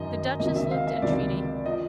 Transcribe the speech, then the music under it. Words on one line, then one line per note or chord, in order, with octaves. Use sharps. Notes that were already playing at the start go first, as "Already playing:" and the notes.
The Duchess looked entreaty.
Already playing: F#2 D#3 F#3 D#5
C#2 C3 D#3 F#3 D#5
E5
F5
E5
C#2 C3 D#3 F#3 D5
F3 D#5